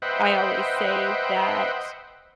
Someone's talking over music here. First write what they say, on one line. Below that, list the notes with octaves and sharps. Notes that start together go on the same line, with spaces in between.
I always say that
B4 C5 D#5 E5 F#5 G5